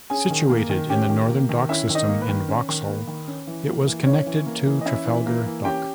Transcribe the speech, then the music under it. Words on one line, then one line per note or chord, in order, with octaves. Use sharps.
Situated in the northern dock system in Vauxhall, it was connected to Trafalgar Dock.
C#4 G#4 G#5
D#3
A#3
D#3
C#4 G4 G5
D#3
A#3
D#3
C#4 E4 E5
D#3
D#4 D#5
A#3
B4
D#3
C#4
D#3
A#3
D#3
C#4
E3
A#3
E3
C#4 C#5
E3
A#3
E3
D#5
C#4 E4 E5
E3
A#3
E3
C#4 G4 G5